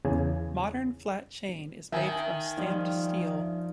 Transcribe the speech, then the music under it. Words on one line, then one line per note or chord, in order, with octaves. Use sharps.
Modern flat chain is made from stamped steel.
E2 C#3 G#5
D#3 E5 G#5
G2 F3 D#4